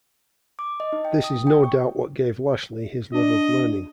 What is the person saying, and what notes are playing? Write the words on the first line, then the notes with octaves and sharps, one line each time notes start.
This is no doubt what gave Lashley his love of learning.
D6
D#5
D#4
G5
D#6
G5
C#6
D4 D#5